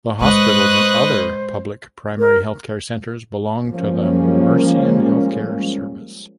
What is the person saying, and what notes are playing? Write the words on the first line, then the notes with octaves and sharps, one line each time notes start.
The hospitals and other public primary healthcare centers belong to the Murcian Healthcare Service.
A2 G#3 B4 C5 D#5 C#6 D#6 F#6
A#4
F3 G3 G#3 A#3 C#4